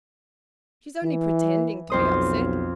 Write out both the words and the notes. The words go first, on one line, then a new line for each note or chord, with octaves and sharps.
She's only pretending to be upset.
E3
B1 F2 C5 D#6